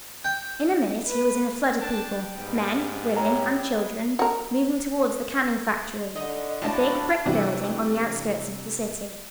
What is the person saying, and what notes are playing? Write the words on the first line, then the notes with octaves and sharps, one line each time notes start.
In a minute he was in a flood of people, men, women and children moving towards the canning factory, a big brick building on the outskirts of the city.
G5
B4
D4 G5 A5
G#2 G3 B3
A#3 E4 G4 C#5 A#5
F#4 A#4
D3 D#4 D#5
A2 D4 F4 F#4 A#4 A5
C3 E3 G3 D4 E4 F#4